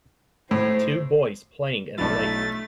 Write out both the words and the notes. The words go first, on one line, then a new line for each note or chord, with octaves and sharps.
Two boys playing in a lake.
A2 C5
B1 F#3 A3 D4 E4 A6